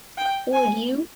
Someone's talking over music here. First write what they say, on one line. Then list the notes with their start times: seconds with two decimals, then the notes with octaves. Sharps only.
Would you?
0.17 G5
0.53 G#5